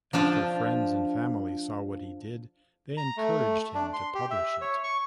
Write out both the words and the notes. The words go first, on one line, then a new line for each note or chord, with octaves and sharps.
After friends and family saw what he did, they encouraged him to publish it.
F3 D4 F4 A5
A#5
A3
D4
C6
G4
E5
C#5
C#6